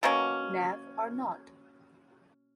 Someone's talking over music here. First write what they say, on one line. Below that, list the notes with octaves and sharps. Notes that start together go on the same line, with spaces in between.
Knave or Not?
B2 F#3 A#3 C#4